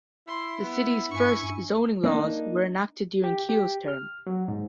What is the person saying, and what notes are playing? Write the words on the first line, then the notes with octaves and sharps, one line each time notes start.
The City's first zoning laws were enacted during Kiel's term.
E4 C6
B3
G2 G#5 C#6
A#3 D4 D#4
G4
G4
F6
F#3
G#2